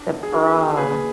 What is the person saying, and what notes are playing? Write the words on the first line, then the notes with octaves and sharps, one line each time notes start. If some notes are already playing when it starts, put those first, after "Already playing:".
The bra.
Already playing: D4
B3
G#4
D4 F#4 A#4
B3
A#2 G#4 B4